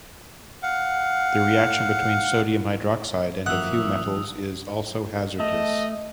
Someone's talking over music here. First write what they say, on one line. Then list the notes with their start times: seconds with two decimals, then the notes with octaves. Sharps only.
The reaction between sodium hydroxide and a few metals is also hazardous.
0.63 F5 F#5
3.46 G#1 F#2 F3 A#3 E5 F#5 D#6 E6
5.40 A3 D#5